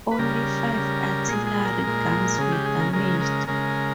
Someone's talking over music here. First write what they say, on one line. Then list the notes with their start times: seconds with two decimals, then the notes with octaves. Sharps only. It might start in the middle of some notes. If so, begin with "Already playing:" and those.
Only five artillery guns were damaged.
0.11 B4
0.19 C#3 G3 A#4
0.73 C#3 G3
1.28 A#2 G#3 G#4
1.47 G#4
1.65 A#4
1.83 A#2 G#3
2.38 C#3 G#3 G#4
2.52 G4
2.66 G#4
2.80 A#4
2.93 C#3 G#3 A#4
3.21 A#4
3.47 C#3 G#3 A#4